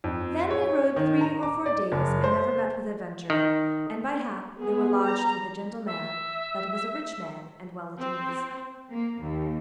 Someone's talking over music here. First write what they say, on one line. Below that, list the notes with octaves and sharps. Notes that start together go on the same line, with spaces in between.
THEN they rode three or four days and never met with adventure, and by hap they were lodged with a gentle man that was a rich man and well at ease.
F2
C#5
D#3
A#5
D6
D5
F#1
C5
D#3
B3 G#4
A#5
E5
C4
A#3
D#2